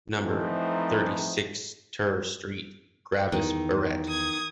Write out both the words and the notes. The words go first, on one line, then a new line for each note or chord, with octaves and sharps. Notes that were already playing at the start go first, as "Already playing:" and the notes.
Number thirty-six TER street, Gervais Barret.
E3 F3 A3 C4 D#4
E2 D#3
D#6 G#6